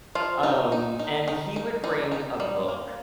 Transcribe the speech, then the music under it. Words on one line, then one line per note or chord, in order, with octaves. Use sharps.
Um, and he would bring a book.
F3 F4
D#4
D#4
D#4
D#4
D#4
G3 D#4
D#4
G3
A#3